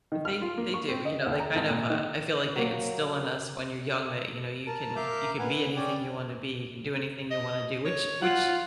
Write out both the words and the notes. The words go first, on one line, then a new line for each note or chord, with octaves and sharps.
They they do, you know, they kind of, uh I feel, like, they instill in us when you're young that, you know, you can you can be anything you wanna be, you can do anything you wanna do, which which
D#3
F6
F4
A#3
C#6
C4
D#5
D#2
A#5
G#1
A#2
D#3
F#3 A#3
A#4 A5
A#4 E5 F5 D6 G6
B4 F#5 G#5
C#4 G#4 D5 G5 G#5
D#5
C#5
F4 F#5